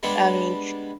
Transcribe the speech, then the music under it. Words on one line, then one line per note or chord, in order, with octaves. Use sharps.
I mean,
G3 G#3 B3 D4